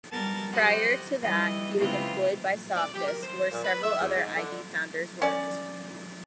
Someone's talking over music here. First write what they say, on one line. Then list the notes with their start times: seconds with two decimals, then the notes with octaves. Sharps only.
Prior to that, he was employed by Softdisk, where several other id founders worked.
0.10 G3 B3 A#4 A5 A6
0.52 G4 C5 D#5 F#5
1.20 E3 G3 D#5
1.78 C#3 E3 G#3 B3 C4 F4
2.77 D5
2.95 G4
3.07 A#4
3.23 C5
3.52 A#2
3.65 B4
3.84 E5
4.01 E2
4.16 G#2
4.37 D3
5.22 C#4 D5